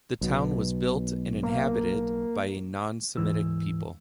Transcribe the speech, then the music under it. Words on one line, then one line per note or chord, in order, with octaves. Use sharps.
The town was built and inhabited by a non-Semitic people.
B1 B2
A#3
D2 G#2 E3 E6